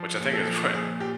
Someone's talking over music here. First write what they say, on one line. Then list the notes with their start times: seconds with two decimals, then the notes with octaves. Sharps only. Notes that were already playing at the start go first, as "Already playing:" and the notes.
Which I think is what
Already playing: F3
0.19 A#2
0.33 A4
0.47 F3
0.74 A#2 G#4
1.00 A#2 G4